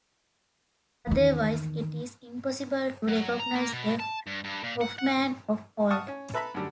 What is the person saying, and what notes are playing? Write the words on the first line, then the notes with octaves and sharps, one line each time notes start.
Otherwise, it is impossible to recognize the Hofmann of old.
E2 D#3
F#3
A#5
A#3
B2
A5
G2
G2
A#2
F#5
F#5
F#5 A5 C#6 D#6 F6
C#4
A4 B4 E5 A#5 B5
F#2 D3 G3